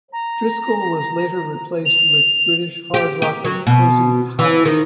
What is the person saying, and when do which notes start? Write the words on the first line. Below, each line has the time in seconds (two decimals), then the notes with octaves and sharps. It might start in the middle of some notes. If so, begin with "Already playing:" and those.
Driscoll was later replaced with British hard rocker, Cozy Powell.
0.12 A#5
1.85 F7
2.94 G4
3.22 G4
3.45 F#3
3.67 B2
4.39 E3
4.65 D#3